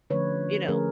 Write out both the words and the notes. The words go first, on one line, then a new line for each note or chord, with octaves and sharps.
You know?
D3 F3 A3 C#4 B4 C#5
D3 F3 A3 C#4 G#4 A#4